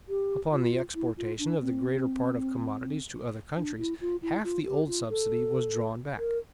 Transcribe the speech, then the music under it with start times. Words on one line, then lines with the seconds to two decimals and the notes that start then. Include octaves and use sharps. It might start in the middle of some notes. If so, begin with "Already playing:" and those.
Upon the exportation of the greater part of commodities to other countries, half the old subsidy was drawn back.
0.09 G4
0.52 F4
0.95 E4
1.17 F4
1.39 D4
1.61 C4
3.57 D4
3.79 E4
4.01 F4
4.22 E4
4.44 F4
4.66 G4
4.87 F4
5.09 A4
6.18 A#4